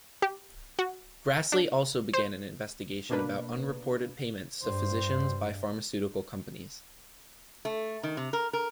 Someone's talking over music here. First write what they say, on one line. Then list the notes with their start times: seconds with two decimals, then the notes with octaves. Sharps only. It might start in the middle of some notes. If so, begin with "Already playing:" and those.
Grassley also began an investigation about unreported payments to physicians by pharmaceutical companies.
0.22 G4
0.79 F#4
1.52 D4
2.13 C5
3.09 B2 A#3 D4 B4
4.63 G2 C5
7.65 A3
8.03 D#3
8.17 C3
8.33 A#4
8.53 A#4